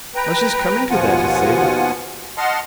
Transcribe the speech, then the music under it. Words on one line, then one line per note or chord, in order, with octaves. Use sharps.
"I was just coming to that," he said.
B4 G5 A#5
D#2 B2 F3 F4 F#5 G#5
D#5 F#5 A5 C6 F6